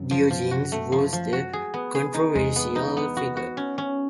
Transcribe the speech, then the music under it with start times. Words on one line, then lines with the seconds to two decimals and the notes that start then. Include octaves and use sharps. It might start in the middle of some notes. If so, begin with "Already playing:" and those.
Diogenes was a controversial figure.
Already playing: F#2
0.11 F3
0.31 F3
0.51 F#4
0.72 A3
0.92 F3
1.13 F3
1.33 F#4
1.53 G#4
1.74 B3
1.95 G#4
2.14 D#4
2.35 E2 G#3
2.56 B3
2.76 D#4
2.97 B3
3.17 F#4
3.37 F#4
3.57 C#4
3.78 C#4